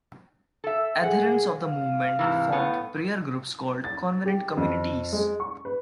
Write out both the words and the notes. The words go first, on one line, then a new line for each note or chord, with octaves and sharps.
Adherents of the movement formed prayer groups called covenant communities.
A4 E5
G#4 F#5
F5
G#2 C3 E3
A2 B3
A6
G4
F2
G#3
C#6
B4